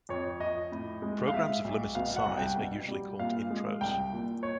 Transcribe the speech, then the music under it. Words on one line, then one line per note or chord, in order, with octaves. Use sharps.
Programs of limited size are usually called intros.
F2 C#5
F2 D#5
A2
G#3
F5
G#3 E5
B1
B2 F5
F#5
C2
G5
B2
G3
A#2 F5
G#3
C2 G5
A#2
C#5